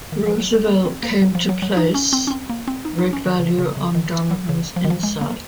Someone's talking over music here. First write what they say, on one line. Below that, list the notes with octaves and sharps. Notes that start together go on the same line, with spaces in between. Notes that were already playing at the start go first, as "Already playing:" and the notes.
Roosevelt came to place great value on Donovan's insight.
D#3
F3
F#3
G#3
A#3
C4
A#3
F#3
F3
F#3
F#3
D#4
C#4
C4
C#4
C4
A#3
C4
D#4
D#4
C#4
D#3
C#3
C#3
C#3
D#3
F#3
C#3
F3
D#3
F3
G#3
A#3